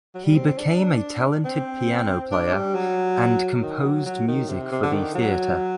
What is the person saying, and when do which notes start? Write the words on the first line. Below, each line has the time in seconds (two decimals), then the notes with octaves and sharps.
He became a talented piano player and composed music for the theater.
0.15 F#3
0.25 G3
0.36 C4
0.47 C4
0.58 D4
1.45 C4
2.32 D4
2.54 G3
2.75 F#3
3.62 D#3
3.85 F#3
4.06 F#3
4.28 D#3
4.49 C3
4.72 C3
4.83 D3
4.93 D#3
5.15 F#3